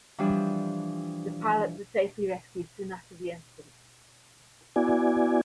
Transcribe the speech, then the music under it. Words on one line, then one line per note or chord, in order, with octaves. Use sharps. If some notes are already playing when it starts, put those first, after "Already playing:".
The pilot was safely rescued soon after the incident.
E3 F3 G3 D4
B3 E4 F#4 D5 G#5